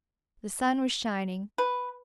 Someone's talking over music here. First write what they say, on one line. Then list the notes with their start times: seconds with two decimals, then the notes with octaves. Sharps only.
The sun was shining.
1.58 B4